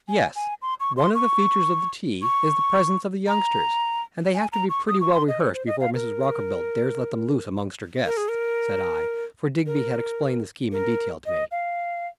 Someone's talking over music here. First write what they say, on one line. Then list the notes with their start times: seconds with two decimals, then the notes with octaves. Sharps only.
"Yes; one of the features of the tea is the presence of the youngsters, and they have to be pretty well rehearsed before Mrs. Rockerbilt dares let them loose among her guests," said I, for Digby had explained the scheme in detail to me.
0.08 G#5
0.36 G#5
0.62 C6
0.80 C#6
0.97 C6
1.15 C#6
2.22 C#6
3.27 A#5
4.34 G#5
4.52 A#5
4.69 C#6
4.88 D#6
5.01 C#6
5.13 C6
5.28 D#5
5.40 C#5
5.54 C5
5.67 D#5
5.80 F5
5.94 A#4
8.06 A#4
8.17 G#4
8.28 A#4
9.66 A#4
10.72 A#4
11.26 D#5
11.51 F5